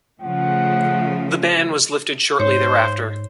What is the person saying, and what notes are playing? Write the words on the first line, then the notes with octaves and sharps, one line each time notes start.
The ban was lifted shortly thereafter.
C#3 F3 A3 F#5
G#2 C5 C#5